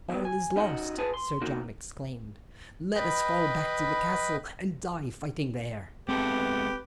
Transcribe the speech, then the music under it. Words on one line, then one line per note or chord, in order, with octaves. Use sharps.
"All is lost," Sir John exclaimed; "let us fall back to the castle and die fighting there."
A#2 D#3 F#3 B3
G#5
C#4 D#4 F#4 B4 D#5 F#5
F4 G#4 B4 G#5 A5
C6
A#3 D#4 F#4
B4 D#5 G5 B5
G#3 B3 C4 G4 A4 B4